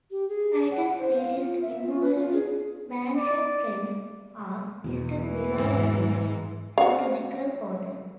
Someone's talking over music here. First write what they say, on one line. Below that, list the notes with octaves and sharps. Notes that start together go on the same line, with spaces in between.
Titles released involving Manfred Trenz are listed below in chronological order.
G4
G#4
F#5
C5
F5
F4
E5
F4
B4
F4
G#4
D5
E2 B2
E3
G#2
F#4 F5